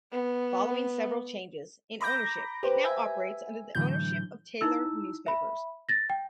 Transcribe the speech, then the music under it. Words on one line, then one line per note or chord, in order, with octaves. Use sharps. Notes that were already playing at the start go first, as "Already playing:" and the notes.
Following several changes in ownership, it now operates under the ownership of Taylor Newspapers.
B3
A#5 B5 D6 G6 A#6
G4 B4 C5
E5 G#5
A2 D3 E3 F#3 G6
D#4 E4 E6
E5 B5
A6 A#6
G5